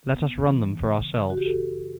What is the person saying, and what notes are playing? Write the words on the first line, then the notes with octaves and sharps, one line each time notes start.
Let us run them for ourselves.
B3
E3
C#3
C#3
F#4
G4
F#2 F#4 A4
C#3